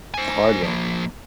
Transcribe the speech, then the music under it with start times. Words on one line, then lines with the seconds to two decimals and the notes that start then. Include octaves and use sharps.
The hard way
0.14 C5 G#5
0.63 F3 A#3